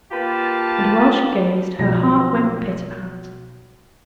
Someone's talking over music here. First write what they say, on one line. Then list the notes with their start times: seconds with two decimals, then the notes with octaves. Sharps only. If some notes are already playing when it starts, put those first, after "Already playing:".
And while she gazed her heart went pitapat.
0.11 A#3 F4 G4 B4 A5
1.79 B1 F3 A#6